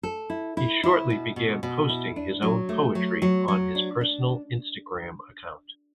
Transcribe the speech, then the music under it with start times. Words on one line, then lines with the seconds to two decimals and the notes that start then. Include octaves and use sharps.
He shortly began posting his own poetry on his personal Instagram account.
0.03 A4
0.30 E4
0.57 E4
0.84 E4
1.10 B2
1.36 B2
1.63 B2
1.89 E4
2.16 D4
2.42 F#3
2.69 A3
2.95 F#3
3.22 F#3
3.48 F#3
3.75 D4
4.01 D4